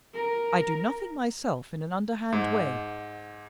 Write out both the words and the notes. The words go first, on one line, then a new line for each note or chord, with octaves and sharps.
I do nothing myself in an underhand way.
A#4
G#2